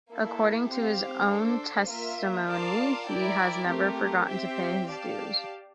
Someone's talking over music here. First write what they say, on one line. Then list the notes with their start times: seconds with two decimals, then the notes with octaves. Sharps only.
According to his own testimony, he has never forgotten to pay his dues.
0.11 A#3 E4 A4
0.70 C4 G4 C5 F5
1.30 D4 A4 C5
1.89 A#3 F4 A#4 E5
2.49 F4 A#4 D5 F5 A5
3.08 E4 A#4 D5 G5
3.68 A3 C4 G4 A#4
4.28 C4 G4 C5 E5 G5
4.87 G4 D5 F5 A5